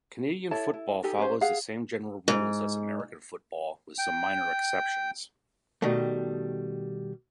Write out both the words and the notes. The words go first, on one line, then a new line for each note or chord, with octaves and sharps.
Canadian football follows the same general rules as American football, with some minor exceptions.
E4 A4 C#5 A5
E4
D#4 G4 A4 G#5
C#4 C5
G#4 F5 F#5
G#2
G5
B2 D#3 G3 A3